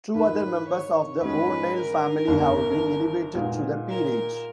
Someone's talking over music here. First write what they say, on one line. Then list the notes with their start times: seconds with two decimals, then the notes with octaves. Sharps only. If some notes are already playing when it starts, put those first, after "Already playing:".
Two other members of the O'Neill family have been elevated to the peerage.
0.14 G#2 D#3 A#3 B4
0.68 C#5
1.21 G#2 D#3 G#3 C#4 B4
1.75 A#4
2.28 G1 G2 D#3
3.35 A#2 G#3 B3 D#4
3.89 A#4